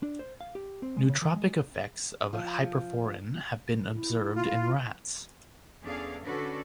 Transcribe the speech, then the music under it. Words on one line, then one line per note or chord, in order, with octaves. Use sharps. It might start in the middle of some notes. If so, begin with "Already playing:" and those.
Nootropic effects of hyperforin have been observed in rats.
D4
C5
F5
G4
C4
G#3
C#3
E3
G#3
F3
E4
F4
E2 C#4 D4 G#4 A4 F5
D3 C#4 D4 F#4 A4 B4